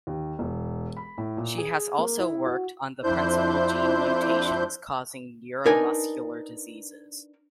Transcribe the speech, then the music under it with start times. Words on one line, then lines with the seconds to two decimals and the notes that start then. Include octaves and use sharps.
She has also worked on the principal gene mutations causing neuromuscular diseases.
0.07 D#2
0.39 E1
0.97 B5
1.18 A2
1.37 A#2
1.58 G#4
1.98 A#3
2.19 E4
2.46 F#4
3.04 F2 D4 E4 C5 G6
5.66 D4 D#4 A#4 B4 G#5